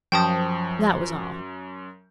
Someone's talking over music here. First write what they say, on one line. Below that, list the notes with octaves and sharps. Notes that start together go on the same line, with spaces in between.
That was all.
F#2 F3 G5 A5 C#6 D#6 G6